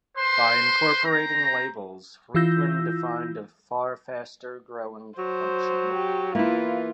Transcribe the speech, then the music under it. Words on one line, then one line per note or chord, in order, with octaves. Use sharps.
By incorporating labels, Friedman defined a far-faster growing function.
B4 C5 C6
C4 A#5
E3 E4 F4 E6 G6 A#6
F#3 C5
G4
E3 A#3 E4 F4